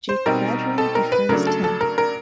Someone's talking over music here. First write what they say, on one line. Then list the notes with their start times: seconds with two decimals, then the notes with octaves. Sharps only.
Jake gradually befriends Tim.
0.09 C5
0.26 B2 G3 C4 D#4 A#4
0.78 A4
0.95 A#4
1.12 B4
1.29 C#3 F#3 A3 D4 A#4
1.47 A4
1.64 A4
1.81 A#4
1.98 A#4